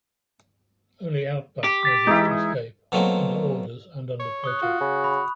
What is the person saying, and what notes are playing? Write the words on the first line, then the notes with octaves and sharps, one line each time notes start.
Only Outback manages to escape, under orders and under protest.
G4
D6 A6 B6
E3 G#3 D#4 E4
D#6
B2 F#3 A3 A#3 C4
C#5
C#6 D#6 F#6
F4 F#4
C#3
B5